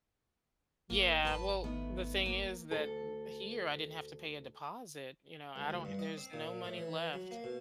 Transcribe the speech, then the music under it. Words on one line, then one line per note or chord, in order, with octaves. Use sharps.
Yeah, well, the thing is that m here I didn't have to pay a deposit. You know, I don't h there's no money left
G#1 A#3 B3 D4
F2 B4 A5
D#3 A3 B3
A#3
D2 A4
C#2
D2
G2
D#5
C4
A#2
A2
E3
F#3
A#3
B2